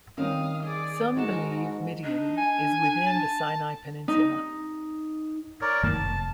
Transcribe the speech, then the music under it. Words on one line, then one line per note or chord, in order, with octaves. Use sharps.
Some believe Midian is within the Sinai Peninsula.
D#3 G3 C4 C#4 F5 D#6
G#4 D5
G#2 G#3 F#4 A#4 A5 C6
D4 D#4
G#5
A5
D#4
A#4 C#5 D5
F#2 D#3 A#3 A5
F1